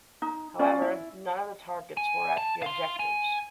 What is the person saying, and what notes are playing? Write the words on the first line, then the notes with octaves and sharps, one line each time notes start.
However, none of the targets were at the objectives.
D#4
C#4 F4 D5
E4
G#5
A5
F5 C6
G#5